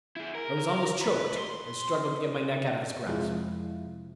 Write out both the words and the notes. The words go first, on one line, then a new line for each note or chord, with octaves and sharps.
I was almost choked, and struggled to get my neck out of his grasp.
E4 G#4
A#4
B4
C6
F2 C3 F3 G#3 E4 F4